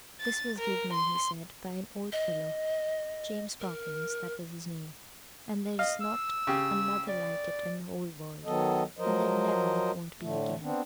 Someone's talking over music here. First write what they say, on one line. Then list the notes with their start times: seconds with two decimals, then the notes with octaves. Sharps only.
"This was give me," he said, "by an old feller--James Parkins, that was his name--and there's not another like it in the whole world, and there never won't be again."
0.20 A6
0.59 A#4
0.93 C6
2.13 D#5
3.60 A#4
5.79 D#5 F5
6.01 E6
6.47 C#3 G4
7.08 D5
8.45 D#3 F#3 B3 A4 D#5
8.98 F3 F#3 A#4 C5 D#5
10.21 A2 D3 A3
10.62 B3 C4 D4